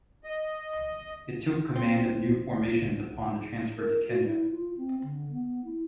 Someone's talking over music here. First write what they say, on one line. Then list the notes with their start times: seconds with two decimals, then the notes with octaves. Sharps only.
It took command of new formations upon the transfer to Kenya.
0.24 D#5
1.76 C4
3.77 A#4
4.08 F#4
4.22 E4
4.50 F4
4.78 C4
5.03 D3
5.31 B3
5.65 E4